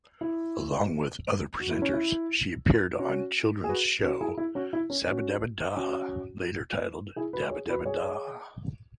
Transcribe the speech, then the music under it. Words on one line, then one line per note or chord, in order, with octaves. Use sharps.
Along with other presenters she appeared on children's show "Sabadabada", later titled "Dabadabada".
E4
F#4
E4
C#4
E4
C#4 F#4
G#4
F#4 B4
C#4 F#4
E4 G#4
E4
C#4 F#4
E4
C#4
C#4 F#4
C#4 F#4
E4 G#4
F#4 B4
G#4 C#5
F#4 B4
G#4 C#5